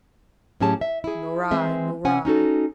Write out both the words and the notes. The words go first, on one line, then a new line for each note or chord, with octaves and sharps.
"Nor I,--nor I."
A2 F#3 C#4 G4 G#4 A5
E5
E4 G#4
E3 G#3 C4 E5
C3 C#4 F#5 G#5
C#4 D#4 F#4 A4